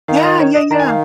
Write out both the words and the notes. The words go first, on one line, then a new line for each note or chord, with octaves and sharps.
yeah, yeah, yeah,
D#3 F5
D#5
C#5
D#5
D#3 A#5
G#5
F5